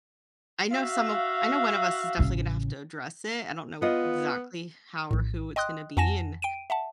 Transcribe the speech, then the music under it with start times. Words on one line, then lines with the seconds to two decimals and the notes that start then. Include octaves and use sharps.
I know some of I know one of us is definitely gonna have to address it. I don't know exactly how or who it's gonna be, and
0.72 F#4 E5 F5
2.19 A1 C#3
3.82 B3 F4 D#5
5.11 A#1 A2
5.56 D#5 G5 C6 D#6 F#6
5.97 F2 F#5 G#5 A5 A#6 E7
6.42 G5 D7 D#7
6.70 E5 F#5 A5